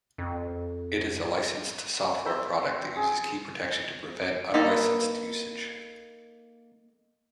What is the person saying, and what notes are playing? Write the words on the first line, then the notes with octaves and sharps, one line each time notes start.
It is a licensed software product that uses key protection to prevent unlicensed usage.
F2
C5 E5 G5
G#4
A#3 D#4 A4 B4